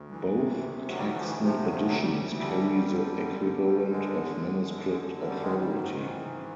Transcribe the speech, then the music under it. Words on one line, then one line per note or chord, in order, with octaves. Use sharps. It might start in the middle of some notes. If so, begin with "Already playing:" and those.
Both Caxton editions carry the equivalent of manuscript authority.
Already playing: D2
E3
C3
D2
D2 F#3
G3
F#3
E3
F3
E3
C3
F3
D2 F#3
F3
D2 F#3
G3
E3
D3 G3
F#2
D3
F#2
D3
F#2
D3 G#3
F#2
D3
F#2
D3
F#2 F#3
G3
D#3 G#3
G3
G#2
G3
F#3
D#3
E3
G#2